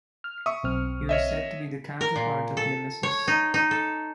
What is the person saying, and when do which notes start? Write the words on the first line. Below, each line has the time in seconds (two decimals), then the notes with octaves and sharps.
He was said to be the counterpart of Nemesis.
0.24 F6
0.46 E5 C#6 D#6
0.63 B1 C4 F6
1.09 C#5 D#5 E5
2.01 A#4
2.16 A#2
2.57 A4
3.03 C#5
3.27 D#4
3.54 D#4
3.71 A4